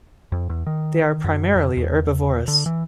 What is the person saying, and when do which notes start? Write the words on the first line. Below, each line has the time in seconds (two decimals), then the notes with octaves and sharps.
They are primarily herbivorous.
0.32 F2
0.50 E2
0.66 D#3
1.24 F#2
1.56 F2
1.77 E2
2.48 D3
2.66 E3